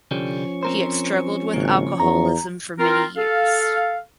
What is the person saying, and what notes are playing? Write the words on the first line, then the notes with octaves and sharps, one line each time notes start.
He had struggled with alcoholism for many years.
C2 D3 F3 G3 C#4 C#6
C4 A#4 C5
G#1 C#3 A#3
E2 A#5
C4 F4 A#4
A4 F5